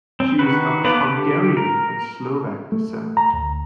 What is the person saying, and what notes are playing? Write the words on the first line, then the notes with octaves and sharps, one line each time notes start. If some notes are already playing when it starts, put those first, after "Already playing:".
She is of Hungarian and Slovak descent.
C4
D#3 F#4 B4
A#3 B3 B4 D5
D3 G4
A#4
A3
A#5
D2